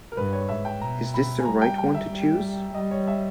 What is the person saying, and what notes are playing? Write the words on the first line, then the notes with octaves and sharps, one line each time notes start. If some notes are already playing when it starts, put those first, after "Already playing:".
Is this the right one to choose?
A#4
G2 B4
C#5
G#2 E5
G5
B2 A#5
B5
G#5
G3 A#5
G5
G5
E5
G3
G3 D#5
C#5
E5